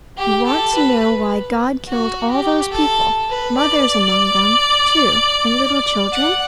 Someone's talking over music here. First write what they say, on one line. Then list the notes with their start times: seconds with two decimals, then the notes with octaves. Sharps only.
You want to know why God killed all those people--mothers among them, too, and little children?
0.17 G4
0.46 A4
0.74 B4
1.88 F#4
2.30 G4
2.72 A4
3.29 B4
3.57 D5
6.12 F#5